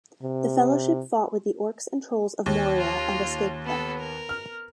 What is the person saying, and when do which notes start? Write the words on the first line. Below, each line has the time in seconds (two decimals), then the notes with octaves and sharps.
The Fellowship fought with the Orcs and Trolls of Moria and escaped them.
0.23 C3
2.46 D#2
2.78 F4
3.65 B3 A4
3.98 A#4
4.29 F6